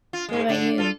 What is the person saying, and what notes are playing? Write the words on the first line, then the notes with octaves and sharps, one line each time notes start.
What about you?
F4
G#2 G#3
D3 D4
F4 A4